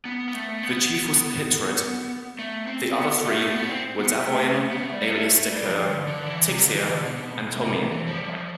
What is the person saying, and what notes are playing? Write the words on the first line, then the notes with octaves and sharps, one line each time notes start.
The chief was Pitrud, the other three were Davoine, alias "Decours," Tixier, and Tomine.
B3
B3
A3
B3
A3
C4
B3
A3
B3
C4
B3
A3
B3
A3
G3
A3
A3
G3
F3
D3
D3
E3
C3
D3
E3
D3
B2
C3
E3
F3
G3
F3